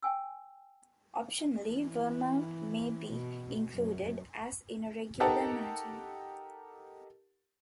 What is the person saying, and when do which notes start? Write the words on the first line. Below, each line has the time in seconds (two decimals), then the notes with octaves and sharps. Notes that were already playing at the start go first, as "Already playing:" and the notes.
Optionally, vermouth may be included, as in a regular martini.
0.03 G5 G#5 E6
1.68 E3
3.10 B2
3.74 F#2
5.20 D#4 G4 A4 A#4 F#5 A5